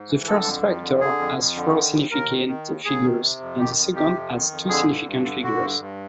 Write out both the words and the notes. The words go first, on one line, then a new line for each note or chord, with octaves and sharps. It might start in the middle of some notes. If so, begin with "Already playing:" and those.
The first factor has four significant figures and the second has two significant figures.
Already playing: G#2
E3
D3 A4
F2
F2
D3
D3 G#4
F2
F2
D3
D#3
D#2
D#2 A#4
D#3
D#3
D#2
D#2 G#4
D#3
C3
F2
D#3 G4
F2
C3 G4
F2
D#3
F2
D3 G#4
G2
G2
D3
D3 F#4
G2
G2